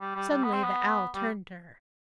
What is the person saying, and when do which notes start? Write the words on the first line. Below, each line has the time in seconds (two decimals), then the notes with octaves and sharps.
Suddenly the Owl turned to her.
0.01 G3
0.15 G3
0.30 G3
0.43 B3
0.53 C4
0.64 B3
1.14 G3